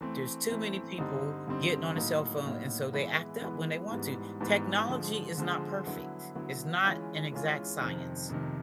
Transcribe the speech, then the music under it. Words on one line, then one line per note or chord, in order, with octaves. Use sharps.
There's too many people getting on a cell phone, and so, they act up when they want to. Technology is not perfect. It's not an exact science.
E3 A3 C4
E3 A3 C4
G2 D3 G3 C4 D#4
G2 D3 G3 C4 D#4
A2 F#3 A#3 D#4
A2 F#3 A#3 D#4
E3 G#3 B3 E4
E3 G#3 B3 E4
G#2 E3 G3 B3
G#2 E3 G3 B3
D3 F3 G#3
D3 F3 G#3
D3 F#3 B3 E4
D3 F#3 B3 E4
E3 G#3 C#4 F4
E3 G#3 C#4 F4
F2 C3 D#3
F2 C3 D#3